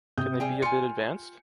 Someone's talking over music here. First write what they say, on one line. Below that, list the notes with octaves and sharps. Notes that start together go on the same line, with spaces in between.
Can they be a bit advanced?
C3 D#6 G6
G3 G#4 G5
F4 G#5 C#7